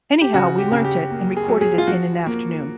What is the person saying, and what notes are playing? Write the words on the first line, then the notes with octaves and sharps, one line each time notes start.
Anyhow, we learnt it and recorded it in an afternoon.
G4
C#3 F#4
G4
C#3
G4
A#3
G#4
F#3
G#4
F4
F3 F#4
A#3